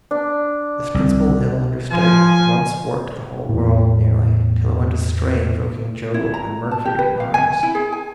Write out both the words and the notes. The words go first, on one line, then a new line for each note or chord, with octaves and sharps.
This principle ill understood once warped The whole world nearly, till it went astray Invoking Jove and Mercury and Mars.
D4
C2
F3 G#5
E2 A2
E4
A#5
A5
G4
B4
F5
G#5
E4
G#4
G#5